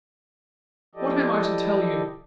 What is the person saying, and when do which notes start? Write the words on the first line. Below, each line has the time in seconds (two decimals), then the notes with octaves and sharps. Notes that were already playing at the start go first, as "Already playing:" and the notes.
What am I to tell you?
0.95 F3 E4 G4 A4 D5 D#5